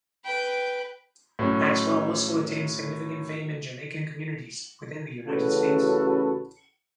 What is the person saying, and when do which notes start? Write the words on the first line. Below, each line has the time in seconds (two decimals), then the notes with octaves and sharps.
Maxwell also attained significant fame in Jamaican communities within the United States.
0.25 B4 G5
1.39 A2 F#3 C#4
5.28 A1 C#3 F#4 A4 B4